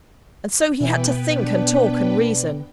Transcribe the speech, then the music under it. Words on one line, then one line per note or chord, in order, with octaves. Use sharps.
And so he had to think, and talk, and reason.
B2 E3 B3 B4 G5
D4